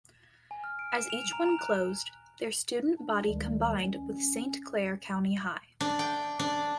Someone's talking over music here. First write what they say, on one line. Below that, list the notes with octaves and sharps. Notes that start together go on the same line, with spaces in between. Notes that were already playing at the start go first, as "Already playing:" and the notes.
As each one closed, their student body combined with Saint Clair County High.
G#5
F6
D7
E7
F7
A#5
A#5
F#6
D4
D2 D#3 G3 G#3
C#4
D4
G5
D4